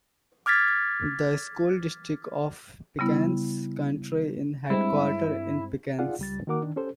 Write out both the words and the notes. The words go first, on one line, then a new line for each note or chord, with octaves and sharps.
The School District of Pickens County is headquartered in Pickens.
D6 F6 G#6 A6 B6
C#3 G3 B3 E4
G2 G#3 C4 E4
D#4 F4 G#4 D5 F5 F#5
C#2 G3 A6
D#3 A#3 F#4 A#4 F#5 D6
D#3 D4
C#4 G4 A4 C5